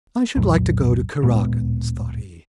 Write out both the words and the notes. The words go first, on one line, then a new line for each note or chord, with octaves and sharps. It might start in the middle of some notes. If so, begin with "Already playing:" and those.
"I should like to go to Kuragin's," thought he.
C2 F2 A#2 F#3
D1 A#2 G#3 B3